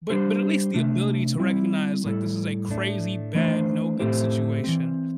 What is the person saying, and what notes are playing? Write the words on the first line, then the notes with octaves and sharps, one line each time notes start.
But but at least the ability to recognize, like, this is a crazy bad, no good situation,
G3 D4 G4 C5
C3 A3 D4
G3 C4 E4
A2 G3 E4 A4
A2 A3 D4
E3 A3 D4 C5
A2 A3 C4 G4 C5
E3 G3 C4